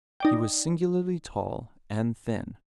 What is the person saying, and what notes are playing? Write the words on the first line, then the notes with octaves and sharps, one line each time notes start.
He was singularly tall and thin.
D#4 D5 G5